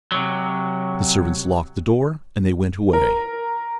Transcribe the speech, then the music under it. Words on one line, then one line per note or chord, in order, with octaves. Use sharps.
The servants locked the door, and they went away.
C3 F#3
A#4